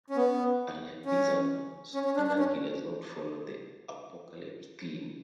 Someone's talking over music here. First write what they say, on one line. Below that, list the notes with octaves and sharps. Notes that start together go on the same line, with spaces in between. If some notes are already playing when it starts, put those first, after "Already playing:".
Unlike these albums, "Anarchy" does not follow the apocalypse theme.
C#4
B3
C#4
C#4
C#4
D4
D4
C#4